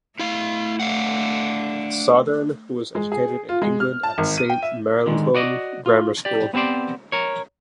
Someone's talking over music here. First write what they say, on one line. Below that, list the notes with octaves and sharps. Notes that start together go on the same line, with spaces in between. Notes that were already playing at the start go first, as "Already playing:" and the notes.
Sothern was educated in England at Saint Marylebone Grammar School.
A3 E4 F5
D4 F5 F#5
G#3
G#4
F4
G#3
F6
A5
G#1
D#7
G5
E5
D3 D#3 G#3
F#4 D5 D#5
F4
G4 D5
B3 C4 G4 C5 D5
A#4 C#5